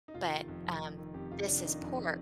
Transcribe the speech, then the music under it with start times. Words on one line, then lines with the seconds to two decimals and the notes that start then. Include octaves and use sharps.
but, um, this is por
0.08 D#4
0.14 F1 F4
0.31 D#3
0.48 F2
0.65 F1
0.81 F1
0.98 D#3
1.14 F2 G4
1.32 F1 F4
1.48 F1 D4
1.65 D#3 D#4
1.81 F2